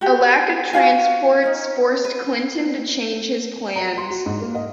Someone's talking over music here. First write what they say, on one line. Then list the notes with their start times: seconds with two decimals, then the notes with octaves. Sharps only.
A lack of transports forced Clinton to change his plans.
0.01 F#4 G4
0.73 F4 F#4 F5 G#5
1.43 C#4 D#4
2.05 B4
3.76 A#5
3.98 C6
4.10 F#4
4.26 G#2
4.41 A#3
4.55 D#5